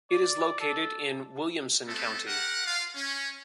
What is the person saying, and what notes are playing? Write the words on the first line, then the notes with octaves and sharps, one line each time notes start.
It is located in Williamson county.
D5
A4
A3 B3 C4 A4
G4 A#4 F#5
F4 F5
C#4